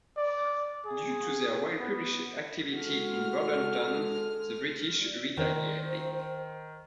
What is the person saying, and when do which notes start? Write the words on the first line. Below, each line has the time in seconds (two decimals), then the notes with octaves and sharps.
Due to their well-published activity in Bordentown, the British retaliated.
0.17 D5
0.85 G#4
1.79 B3
2.74 G#3 F#4 A4 F6
5.37 D#3 C5